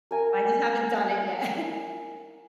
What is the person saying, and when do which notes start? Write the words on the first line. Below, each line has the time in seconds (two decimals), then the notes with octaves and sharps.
But I just haven't done it yet.
0.11 A#4 G#5 A#5